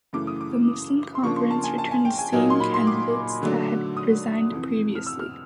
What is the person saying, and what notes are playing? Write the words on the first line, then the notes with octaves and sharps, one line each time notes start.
The Muslim Conference returned the same candidates that had resigned previously.
F#2 C#3 E3 A3 D6
D#6
D6
C6
C#3 F3 A#3 D4 C#6
C6
A5
G#5
A5
G#5
G5
G#5
A#2 F#3 A#3 D#4 G#5
C6
B5
C6
D6
D3 F#3 A3 D4
D#6
F2 C3 E3
F6
E6
F6